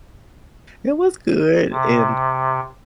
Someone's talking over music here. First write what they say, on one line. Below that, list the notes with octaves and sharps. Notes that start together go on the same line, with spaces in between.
It was good. And,
C3